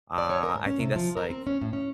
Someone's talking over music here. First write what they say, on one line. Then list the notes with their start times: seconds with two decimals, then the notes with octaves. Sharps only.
Uh, I think that's, like,
0.18 D5
0.30 C#5
0.43 A#4
0.55 G#2
0.66 C#4
0.80 C3
0.96 F3
1.17 A#4
1.30 C4
1.47 C#4
1.61 A2
1.73 C#4